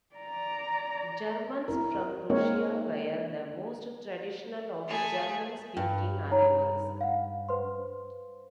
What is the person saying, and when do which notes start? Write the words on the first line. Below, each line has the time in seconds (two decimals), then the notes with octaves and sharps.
Germans from Russia were the most traditional of German-speaking arrivals.
0.16 D5 A#5
1.68 C4 E4 A#4
2.30 G#3 A#3 C4 D#4 A#4 C#5
4.88 A3 G#4
5.77 G2 G5
6.32 D#4 C#5 A#5
7.01 F5 F#5
7.49 B4 C5 C6